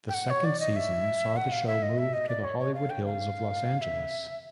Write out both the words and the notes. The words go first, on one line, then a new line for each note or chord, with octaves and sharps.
The second season saw the show moved to the Hollywood Hills of Los Angeles.
G5
F#5
C#5
D5
D#5
E5
F#5
F5
E5
D#5
E5
D#5
D5
C#5
C#5
F5
G5
F5
E5